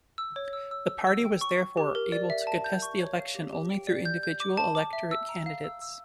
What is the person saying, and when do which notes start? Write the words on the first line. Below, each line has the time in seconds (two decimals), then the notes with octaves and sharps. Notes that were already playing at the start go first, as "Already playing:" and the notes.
The party was therefore able to contest the election only through individual electorate candidates.
0.18 E6
0.36 C#5
0.53 E6
0.71 E6
0.89 E6
1.07 E6
1.25 G5
1.41 C#6
1.59 C#6
1.77 G4
1.95 A#4
2.12 D5
2.30 E5
2.47 A5
2.64 G6
2.82 C#6
3.00 C#5
3.18 F5
3.35 G4
3.52 G4
3.70 G5
3.87 D5
4.05 G6
4.23 G6
4.40 D6
4.57 A5
4.75 D6
4.93 E5
5.11 E6
5.29 A#5
5.46 F5
5.64 E6
5.82 E6